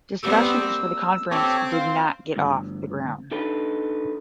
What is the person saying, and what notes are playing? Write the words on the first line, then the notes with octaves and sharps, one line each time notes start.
Discussions for the Conference did not get off the ground.
G3 B3 C4 E6
A#3
C4 G4 A4 C#5
F4 C6
D2 G2
D4 D#4 A4 B4